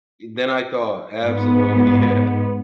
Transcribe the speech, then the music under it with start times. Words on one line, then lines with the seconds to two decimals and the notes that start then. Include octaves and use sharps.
Than I thought, absolutely. Yeah.
1.26 G#2 B3